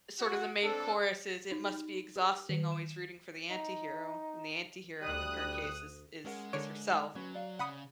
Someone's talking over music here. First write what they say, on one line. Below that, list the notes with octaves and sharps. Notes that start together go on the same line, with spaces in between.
sort of, the main chorus is, "It must be exhausting always rooting for the anti-hero," and the anti-hero in her case is is is herself,
F#4 F#5
C4 D4 A4
A6
D#4
G4
D#3
E7
D#4
D2 G3 D#6 F#6
G#3 C#4 A#4 F#5
D3 A#4 C#5 D7
D#4
F#3 C#4 B4
D5 F5
C#3 F#5 B5 D#6